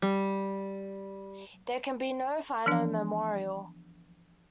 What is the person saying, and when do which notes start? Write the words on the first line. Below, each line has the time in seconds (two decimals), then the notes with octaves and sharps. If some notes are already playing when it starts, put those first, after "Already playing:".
There can be no finer memorial.
0.02 G3
2.66 E3 F3 B3 D4